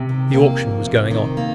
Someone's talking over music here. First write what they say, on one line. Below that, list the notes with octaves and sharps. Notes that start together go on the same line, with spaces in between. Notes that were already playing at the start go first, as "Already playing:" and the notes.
The auction was going on.
Already playing: C3
D#3
A#3
F2
C3
D#3
A#3